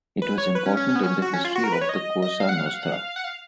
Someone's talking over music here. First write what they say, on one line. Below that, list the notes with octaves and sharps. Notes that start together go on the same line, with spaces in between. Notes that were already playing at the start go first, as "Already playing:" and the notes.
It was important in the history of the Cosa Nostra.
B4
C#5
B4
C#4
C#4
C#4
B3
C#4
F#4
C#4
F4
F#4
A#4
B4
C#5
D#5
D#5
F5
F#5
F5
F#5
F5
F#5
F5
F#5
F5